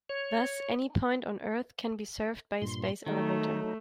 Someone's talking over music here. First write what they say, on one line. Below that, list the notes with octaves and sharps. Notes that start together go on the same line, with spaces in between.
Thus, any point on Earth can be served by a space elevator.
C#5
G2 A#2 C6
D#3 F#3 A3 D#4